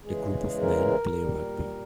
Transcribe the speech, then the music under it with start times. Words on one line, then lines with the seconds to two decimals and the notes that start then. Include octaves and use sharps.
A group of men play rugby.
0.05 E2 C#3 E3 G#3 G#4
0.61 A#4
1.18 A#2 G3